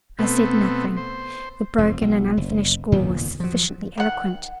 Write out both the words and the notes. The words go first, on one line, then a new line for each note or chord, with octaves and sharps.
I said nothing; the broken and unfinished scrawl was sufficiently eloquent.
B2 A3 B3 C4
C5
F1 F2 G#2
B1
F#1
E2 A#2 D3 D#3
F3 F#3
D#3 F#5